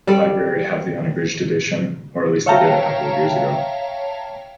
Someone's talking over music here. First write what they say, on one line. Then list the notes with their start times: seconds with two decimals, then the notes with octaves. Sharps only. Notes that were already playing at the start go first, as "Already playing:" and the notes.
The library have the unabridged edition, or at least they did a couple of years ago.
0.07 G3 A4 D5
2.46 C#5 E5 F5 G5 A5 A#5